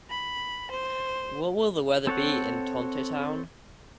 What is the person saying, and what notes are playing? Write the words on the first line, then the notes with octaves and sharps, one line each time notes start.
What will the weather be in Tontitown?
B5
C5
C4 A4 C#5 F#5